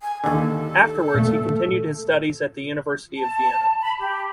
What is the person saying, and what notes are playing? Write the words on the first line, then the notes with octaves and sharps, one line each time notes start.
Afterwards he continued his studies at the University of Vienna.
G#5
D#2 D3 A4
A#2 A3
A5
B5
G4